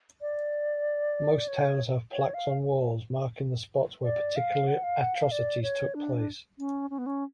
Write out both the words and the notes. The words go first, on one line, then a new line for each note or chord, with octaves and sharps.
Most towns have plaques on walls marking the spots where particular atrocities took place.
D5
C#5
C#5
F5
D5
F5
F#5
F5
F#5
F5
D5
C#5
D4
C#4
C#4
B3
C#4